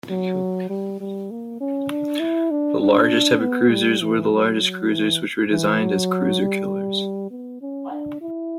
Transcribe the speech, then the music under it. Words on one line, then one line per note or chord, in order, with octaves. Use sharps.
The largest heavy cruisers were the large cruisers, which were designed as "cruiser killers".
F#3
G3
G3
A#3
C#4
D4
E4
D4
D4
B3
G3
E3
F#3
E3
E3
F#3
G3
B3
C#4
D4
E4